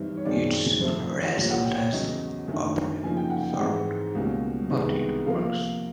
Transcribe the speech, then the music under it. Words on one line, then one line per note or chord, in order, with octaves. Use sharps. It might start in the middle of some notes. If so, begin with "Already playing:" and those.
It's razzle-dazzle of a random sort, but it works.
Already playing: G2 E3 G3 C4 D#4
C#5
F#2 D#3 G#3 C4 D#4 D5
F2 C3 F3 A3 C5
C2 A#2 G3 C#5
F#5
G5
C#5
E2 C#3 F#3 D#5
F#2 D#3 F#3 A3 D4
C#3 F3 A#3 D#4 G#5
G5
F#5
G5
G#2 E3 G#3 C4 D#4 F#5
C#2 B2 G3 A#3 C#4
C2 C3 D#3 G#3 B3
C3 F3 A#3 F5